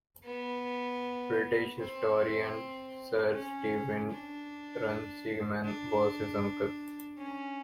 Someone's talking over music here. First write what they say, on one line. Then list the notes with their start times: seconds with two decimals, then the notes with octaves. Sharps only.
British historian Sir Steven Runciman was his uncle.
0.24 B3
1.79 C4
3.32 C#4
4.10 D4
5.64 D4
7.18 C#4